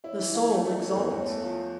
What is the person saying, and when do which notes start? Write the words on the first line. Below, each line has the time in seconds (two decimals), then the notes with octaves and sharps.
The soul exults.
0.04 E4 C#5
0.19 E3 E5
0.34 E3 F5
0.50 A3
0.65 A3 D5
0.80 E3 C#5
0.89 A4
0.96 E2 A#4
1.11 E2 C#5
1.26 A3
1.42 F3